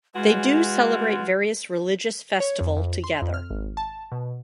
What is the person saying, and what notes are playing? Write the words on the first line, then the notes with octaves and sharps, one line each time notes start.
They do celebrate various religious festival together.
E3 G#3 F4 F#4
C#5
F2
F2
C6
F2
F6
G#1
A5
B2